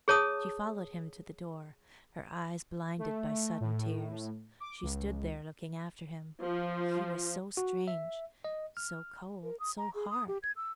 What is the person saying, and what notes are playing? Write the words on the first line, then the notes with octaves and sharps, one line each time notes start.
She followed him to the door, her eyes blinded by sudden tears; she stood there looking after him. He was so strange, so cold, so hard.
G#4 C#5 A5 D#6
A3
A2
D6
C#2
F3
F#4
E5
D#5
F6
A#4
D#6
A#5
G#4
D#6
G4
G#6
E6